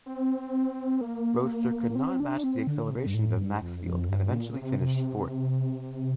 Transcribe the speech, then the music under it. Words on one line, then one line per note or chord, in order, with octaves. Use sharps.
Roadster could not match the acceleration of Maxfield and eventually finished fourth.
C4
A#3
C4
D4
C4
D3
C3
G2
A2
G2
F2
F2
G2
A#2
C3
C3